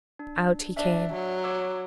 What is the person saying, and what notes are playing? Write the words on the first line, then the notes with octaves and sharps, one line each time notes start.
Out he came.
D4
D4 E5
F#3
C#5 D6 E6